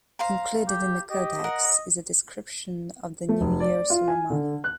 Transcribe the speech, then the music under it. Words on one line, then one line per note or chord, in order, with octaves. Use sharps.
Included in the codex is a description of the New Year ceremony.
C5 F5 A#5
G4
G4 D#5
A#4 F#5
A3
F1
D5
F4
G#5
D3
F#6